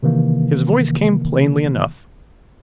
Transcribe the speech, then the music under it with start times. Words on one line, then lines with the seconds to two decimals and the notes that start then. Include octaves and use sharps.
His voice came plainly enough.
0.03 C3 D#3 E3 A#3